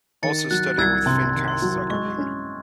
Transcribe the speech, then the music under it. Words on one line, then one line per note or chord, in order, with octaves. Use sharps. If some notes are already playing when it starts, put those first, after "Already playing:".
Also studied with Pinchas Zukerman.
D#3 A6 C#7
F#3 F#6 A6
F#6
C2 E6 G#6
C3 C6
D#3
C6
F#3
G#3 C#6
C#4